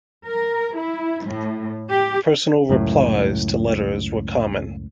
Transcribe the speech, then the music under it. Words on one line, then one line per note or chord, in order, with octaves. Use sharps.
Personal replies to letters were common.
A#4
E4
A2
G4
C#2 F#2 A2